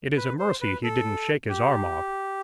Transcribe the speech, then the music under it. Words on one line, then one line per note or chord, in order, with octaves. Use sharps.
It is a mercy he didn't shake his arm off.
B4
C5
B4
A4
G4